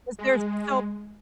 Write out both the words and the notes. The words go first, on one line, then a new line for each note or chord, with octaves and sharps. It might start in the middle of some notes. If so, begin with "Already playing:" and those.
'cause there's so
G#3